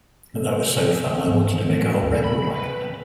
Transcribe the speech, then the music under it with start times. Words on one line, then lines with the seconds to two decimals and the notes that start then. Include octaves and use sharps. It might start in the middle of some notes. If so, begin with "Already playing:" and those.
That was so fun-I wanted to make a whole record like that.
1.28 G#2
1.53 D#3
1.67 A2
1.82 F#3
2.02 D#2
2.24 B5
2.55 B4